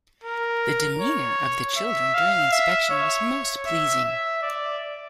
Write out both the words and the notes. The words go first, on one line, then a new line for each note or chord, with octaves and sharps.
The demeanor of the children during inspection was most pleasing.
A#4
C#5
E5
F5
E5
C#5
E5
E5
D5